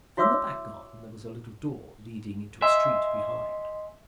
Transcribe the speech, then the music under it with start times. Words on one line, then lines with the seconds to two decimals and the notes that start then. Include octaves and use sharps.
From the back garden there was a little door leading into a street behind.
0.17 E4 F#4 C#5 E5 D6 E6
2.62 D#5 E5 G#5 C6